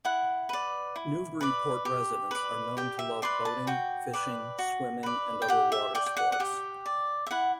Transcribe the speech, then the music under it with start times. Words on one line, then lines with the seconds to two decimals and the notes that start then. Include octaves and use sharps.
Newburyport residents are known to love boating, fishing, swimming, and other water sports.
0.05 E4 F#5
0.49 B4 D5
0.96 E4
1.41 B4 D5
1.85 G4
2.31 B4 D5
2.77 G4 G5
2.99 E5
3.22 B4 D5 C6
3.45 A5
3.67 F#4 G5
4.13 B4 D5
4.59 F#4
5.03 B4 D5
5.42 G5
5.48 G4 F#5
5.72 E5
5.95 D5 G5
6.06 G5
6.17 F#5
6.32 F#5
6.40 G4 G5
6.86 D5
7.27 E5
7.31 E4 F#5